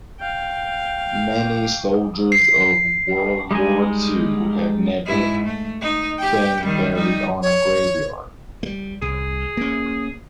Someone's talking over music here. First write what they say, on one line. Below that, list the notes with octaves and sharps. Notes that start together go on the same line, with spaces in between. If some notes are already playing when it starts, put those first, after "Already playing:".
Many soldiers of world war two have never been buried on a grave yard.
F5 G5
C7
G3 G#3 D#4 D#5 G#5
G#2 E4
A3
D#4
G4 G5
D#3 G3
G3 D#4
C#5
G3 A3
C2 G#4
A#3 C#4